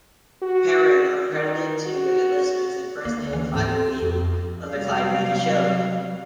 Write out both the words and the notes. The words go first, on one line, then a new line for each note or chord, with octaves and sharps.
Perrin, uncredited to the listeners, impersonated Clyde Beatty on The "Clyde Beatty Show".
F#4
D#3
F#4
D2 A#3
E3
G#2 C4 A4
F2
C3 F#3 G3 F5